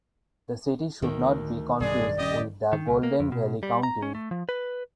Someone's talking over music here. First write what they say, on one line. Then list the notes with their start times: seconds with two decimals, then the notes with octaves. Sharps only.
The city should not be confused with the Golden Valley County.
1.02 D2 D#3
1.80 B1 G2 G#3 D4 G#4 D5
2.17 D#1 G2 C#4 G4 D#5
2.73 D#3
2.88 C#2
3.03 A#3
3.20 F2
3.32 B2
3.63 G3
3.83 A#5
4.02 C#4
4.15 A3
4.31 F3
4.49 B4